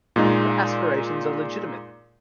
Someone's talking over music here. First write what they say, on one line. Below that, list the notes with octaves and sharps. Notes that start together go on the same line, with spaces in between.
Her aspirations are legitimate.
A#2 G#3 D#4